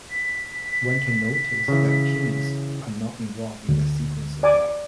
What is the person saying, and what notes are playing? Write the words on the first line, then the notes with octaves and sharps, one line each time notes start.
One can notice that kings are not involved in the sequence above.
B6
C#3 E3
D2
D5 G#5 D6